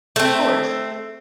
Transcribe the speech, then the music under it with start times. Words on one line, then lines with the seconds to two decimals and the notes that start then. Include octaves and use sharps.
Of course.
0.16 A3 C4